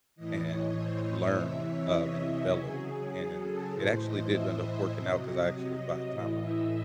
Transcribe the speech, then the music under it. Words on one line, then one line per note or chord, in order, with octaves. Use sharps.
and learn, um, and develop, and it actually did end up working out 'cause I actually by the time I
A2 E3 D#5
C#5
C5
C#5
C3 E3 E5
C#5
D#5
C#5
C#3 F#3 G#4
G#4
G#4
A4
A2 E3 C5
D#5
E5
D#5
C3 F#3 D#5
D#5
A2 E3 D#5
E5